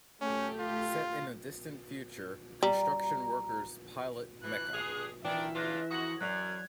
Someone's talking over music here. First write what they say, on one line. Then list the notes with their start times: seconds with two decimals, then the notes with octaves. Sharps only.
Set in the distant future, construction workers pilot mecha.
0.21 A3 C#4 G4
0.60 F4
2.63 G3 A#5
4.44 E3 F#6
4.74 G2 G#4 C7 F7
5.25 D#3 E3 D4 E5 G5
5.55 C#3 D4 F4 B4 F#6 A#6
5.91 F2 F#4 D#6 A#6 F#7
6.21 F#2 F#3 D5 F#6 G#6 F7